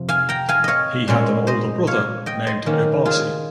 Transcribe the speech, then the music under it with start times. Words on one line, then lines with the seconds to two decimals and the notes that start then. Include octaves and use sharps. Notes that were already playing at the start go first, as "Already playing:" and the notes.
He had an older brother named Obasi.
Already playing: F2 C3
0.09 F5 G#5
0.29 G5 A#5
0.49 F5 G#5
0.64 C#5 D#5 F5
1.08 A#2 G#3 C#4
1.47 C5 D#5
1.87 C#5 F5
2.26 D#5 G5
2.47 C5 D#5
2.66 D#3 A#3 C#4
3.05 F4 G#4